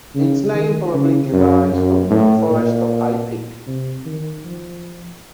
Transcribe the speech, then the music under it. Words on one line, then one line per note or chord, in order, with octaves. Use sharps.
Its name probably derives from the Forest of High Peak.
C#3
D#3
C#3
F#2
F#2
A2
A#2
C3
D#3
F3